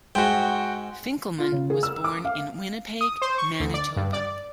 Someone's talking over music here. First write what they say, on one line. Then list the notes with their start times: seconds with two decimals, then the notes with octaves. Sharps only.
Finkleman was born in Winnipeg, Manitoba.
0.15 G#2 F#4 G5
1.38 F4
1.52 C#3
1.70 G#4
1.83 E6
2.04 D6
2.25 F5
3.01 D#6
3.22 C5
3.38 C#6
3.60 D2
3.74 D5
3.96 G2
4.13 D5